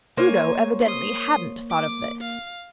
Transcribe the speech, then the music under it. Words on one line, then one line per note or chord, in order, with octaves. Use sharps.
Udo evidently hadn't thought of this.
A#3 C5 C#5 G#5
C6 D#6
D6
F5